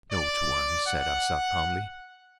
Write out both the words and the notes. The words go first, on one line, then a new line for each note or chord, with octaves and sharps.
"No, Tuan," said Arsat, calmly.
D5
F#5